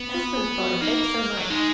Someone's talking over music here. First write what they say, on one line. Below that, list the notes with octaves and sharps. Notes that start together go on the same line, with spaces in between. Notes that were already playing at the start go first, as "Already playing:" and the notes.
that's been fun, thanks so much.
Already playing: B3
F4
G#4
F#4
A#3 D#4
F#3
G#3 D#4